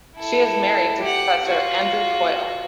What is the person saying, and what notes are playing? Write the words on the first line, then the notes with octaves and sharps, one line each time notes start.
She is married to Professor Andrew Coyle.
E4 A4
G4 F#5
F4 F#4